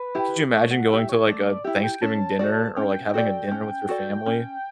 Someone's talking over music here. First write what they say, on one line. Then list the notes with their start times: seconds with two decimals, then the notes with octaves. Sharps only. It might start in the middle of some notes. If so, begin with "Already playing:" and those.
oh could you imagine going to, like, a Thanksgiving dinner or, like, having a dinner with your family
Already playing: B4
0.15 E4 G4
0.53 A3 C#5
0.71 F#5
0.90 E4 G4 E5
1.09 C#5
1.27 A3 D5
1.46 D5
1.64 E4 G4 E5
1.83 G5
2.01 C#4 A5
2.39 F#4 A4 D5
2.77 C#4 G5
3.14 F#4 A4 D5
3.51 C#4
3.89 F#4 A4 D5
4.26 C#4